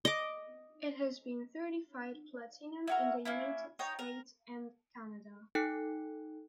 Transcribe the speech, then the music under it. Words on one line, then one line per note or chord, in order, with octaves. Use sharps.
It has been certified platinum in the United States and Canada.
D#5 D6
E4 F#4 A#4
A#3 C#4 E4
D#4 C#5 G5
A#4
D#4 A4 G5 F#6 C#7